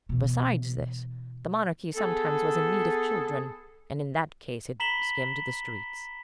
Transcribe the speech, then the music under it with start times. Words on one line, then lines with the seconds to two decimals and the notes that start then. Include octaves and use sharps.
Besides this, the monarchy sometimes was in need of children, and in that case it skimmed the streets.
0.09 B2 E3
1.95 B3 G#4 A4
4.80 A#5 B5 B6 E7 F#7 G7